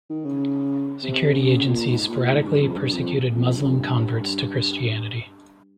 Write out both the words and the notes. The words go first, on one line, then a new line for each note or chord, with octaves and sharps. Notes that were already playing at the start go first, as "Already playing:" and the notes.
Security agencies sporadically persecuted Muslim converts to Christianity.
D#3
C#3
C3
C#3
A#2
G#2
A#2
G#2
G2
F2
G2
F2
F2
G2
F2
G2
G2